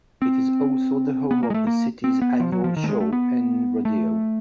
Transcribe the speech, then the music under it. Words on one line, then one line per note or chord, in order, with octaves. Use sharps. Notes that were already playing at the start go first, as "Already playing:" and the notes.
It is also the home of the city's annual show and rodeo.
C4
B3
A#3
G#3
A3
A#3
C4
B3
F3
F#3
F3
D#3
A3
G#3
A3
B3
A3